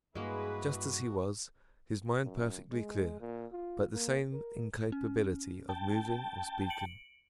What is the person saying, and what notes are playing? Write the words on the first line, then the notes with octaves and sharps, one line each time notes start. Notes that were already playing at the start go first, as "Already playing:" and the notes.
"Just as he was, his mind perfectly clear, but the same incapability of moving or speaking."
G2 G#3 A#3 E4 F#4 G#4 B4
F#2
G#3
A#2
F4
A#3
A#4
C#4
G5 A5
C#7 D7 F#7